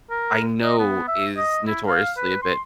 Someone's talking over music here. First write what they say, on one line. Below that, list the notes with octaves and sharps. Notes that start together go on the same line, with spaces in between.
I know is notoriously a bit
A#4
D#5
B3
E5
D#5
E4
F5
B4
C6